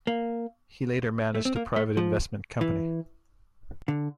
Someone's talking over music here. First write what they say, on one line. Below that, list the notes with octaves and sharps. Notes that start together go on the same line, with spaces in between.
He later managed a private investment company.
A#3
A3
C4
A#3
A3
F3
E3
D3